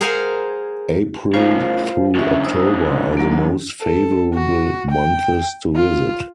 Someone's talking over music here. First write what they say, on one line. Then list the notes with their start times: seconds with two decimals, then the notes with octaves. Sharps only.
April through October are the most favorable months to visit.
0.01 G#4 A#4 C5 F5 F#5 G#5
1.34 A2 C#3 F4 C5 F5
2.15 F#2 D3 C#4 E5
2.44 C5 D#6 E6
3.17 F#3 A#3
3.82 A4
4.34 F#4
4.91 G5
5.76 F4